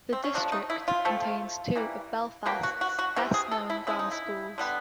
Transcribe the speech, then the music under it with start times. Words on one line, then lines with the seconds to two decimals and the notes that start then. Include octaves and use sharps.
The district contains two of Belfast's best known grammar schools.
0.13 C4
0.24 C#4
0.34 C3 F3 A3 D4
0.52 D#4
0.70 E4
0.88 F4
1.05 F3 A3 C4
1.76 E3 G3 A#3
2.46 B2 F#3 A#3 G4
2.63 F#4
2.81 F#4
2.99 F#4
3.16 C3 E3 G3 C4 G4
3.34 G#4
3.51 A4
3.70 E4
3.87 C#3 F3 G#3 E4
3.99 D#4
4.12 E4
4.58 D3 G3 B3